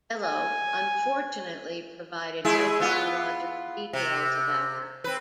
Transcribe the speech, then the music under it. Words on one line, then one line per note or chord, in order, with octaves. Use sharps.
Bello, unfortunately provided no chronological details about her.
G#5
G#3 E4 G#4
B3 F4
C3
C4 B4